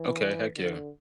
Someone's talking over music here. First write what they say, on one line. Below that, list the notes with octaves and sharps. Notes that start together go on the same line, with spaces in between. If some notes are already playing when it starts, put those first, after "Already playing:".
Okay, heck yeah.
Already playing: E3
D3